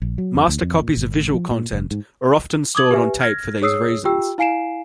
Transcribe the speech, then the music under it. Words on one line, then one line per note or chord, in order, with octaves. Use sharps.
Master copies of visual content are often stored on tape for these reasons.
A#1
F#3
F2
D2
F2
A#2
G1
A1
F3
A#2
F1
G#2
D6 D#6 G#6 F#7
G4 B4 E5 G#5
F6 G#6 A#6
G#4 C#5 D#6 E6 C7
F4 G4 G5 E6
E4 F5 G#5 C7 D7 E7